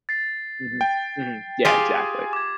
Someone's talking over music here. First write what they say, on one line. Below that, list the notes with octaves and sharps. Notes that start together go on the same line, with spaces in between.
Mhm. Mhm. Yeah, exactly.
A6 C7
G5
F4 G4 G#4 G#5
D6 G#6